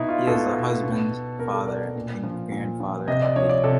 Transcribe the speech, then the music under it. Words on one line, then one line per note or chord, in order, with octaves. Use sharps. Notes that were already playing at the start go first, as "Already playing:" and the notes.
He is a husband, father, and grandfather of eight.
Already playing: B2 D#4 E4
F4
B2 A4
B2
B2 A#4
A4
D5
A#2
F3
A#2
F3
C3 D#5
D5
F3 C#5
D5
C3 A4